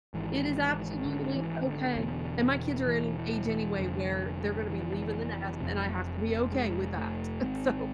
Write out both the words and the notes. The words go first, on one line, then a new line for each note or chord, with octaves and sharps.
it is absolutely okay, and my kids are at an age anyway where they're gonna be leaving the nest, and I have to be okay with that. So
G#1 G#2 E3
D3
E3
D3
E1 E2 B2
E3
E3
E3
F1 F2 D3
E3
F1 F2 C3
G#3
A3
G#1 G#2 C4